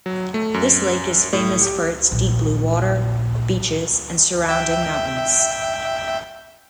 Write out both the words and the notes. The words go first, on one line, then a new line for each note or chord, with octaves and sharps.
This lake is famous for its deep blue water, beaches, and surrounding mountains.
F#3
A3
F#2
A2
G4
A#1 A#2
E5 G5